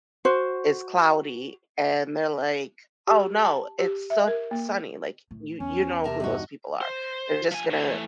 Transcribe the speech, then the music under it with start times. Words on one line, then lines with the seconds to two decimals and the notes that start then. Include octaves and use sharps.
it's cloudy, and they're like, oh no, it's su sunny, like, you you know who those people are, they're just gonna
0.25 F#4 C5
3.07 G4
3.44 A5
3.79 G4
4.10 E5
4.27 A#4
4.51 A#3
5.31 A2
5.60 E2 C#4
6.04 C3 A#4 A5 A#5
6.20 G2 D#4 F#4
6.81 C5
7.51 F3 G#5
7.70 A2 D3
7.89 E3 A3